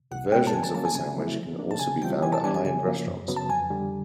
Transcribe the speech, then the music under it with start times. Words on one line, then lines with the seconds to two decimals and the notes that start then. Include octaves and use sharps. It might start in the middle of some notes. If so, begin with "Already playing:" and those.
Versions of the sandwich can also be found at high-end restaurants.
0.11 C2 F#5
0.32 B2 G#3 C#4 G5
0.47 A5
0.53 D3 G#5
0.63 A5
0.74 F#3 A#3 C#4 A5
0.85 G#5
0.95 C#3 G#5
1.17 F#3 A3 C4 E4
1.38 F3
1.59 A#3 D4
1.71 A5
1.80 C#3 G#5
2.01 E3 G3 C4 F4 G5
2.22 E3 G#5
2.32 A5
2.43 G3 B3 D4 G4 G#5
2.54 G#5
2.65 C#3 G#5
2.86 F3 A#3
3.07 F#2
3.28 C#3 F#3 B3
3.36 A5
3.49 F2 G#5
3.70 D3 G3